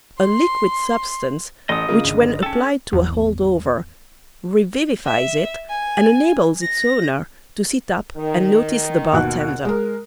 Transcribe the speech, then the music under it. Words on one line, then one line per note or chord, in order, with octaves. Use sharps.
A liquid substance which when applied to a "holdover" revivifies it and enables its owner to sit up and notice the bar-tender.
C6
A1 D#5 D#6
C#3 A#3 F4 A#4
G#1 D3
C#4 A4 G5 A5
G#1 E2
E5
G#5
A#6
D#3
D#2 B2 F#6
G#3 A#4